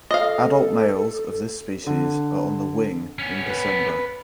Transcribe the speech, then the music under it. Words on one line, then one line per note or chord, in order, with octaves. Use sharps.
Adult males of this species are on the wing in December.
A4 D#5 F5
D3
B3 C#4
B4